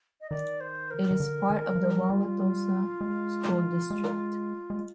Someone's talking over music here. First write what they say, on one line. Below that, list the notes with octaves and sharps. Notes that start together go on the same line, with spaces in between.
It is part of the Wauwatosa School District.
D#5
D#3 D5
C5
A#4
D#3
D3
D#3
F3
G3
G3 F4
G#3
G#3
G#3